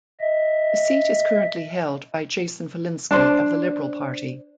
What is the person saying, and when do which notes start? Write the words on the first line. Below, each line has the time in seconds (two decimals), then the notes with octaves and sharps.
The seat is currently held by Jason Falinski of the Liberal Party.
0.21 D#5 E5
3.11 D4 C5